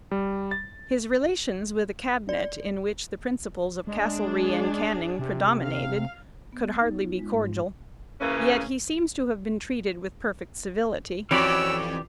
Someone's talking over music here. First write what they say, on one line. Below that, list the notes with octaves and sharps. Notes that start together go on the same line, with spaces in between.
His relations with a cabinet in which the principles of Castlereagh and Canning predominated could hardly be cordial, yet he seems to have been treated with perfect civility.
G3
A6
D5
G#3 D4 G#4
C3
F5
B3
A6
D#4
F4
G#3
G#2
C#3 E3 A#3 C#4
F2 E3 C#4 F#4 G4 C#5 D5 E6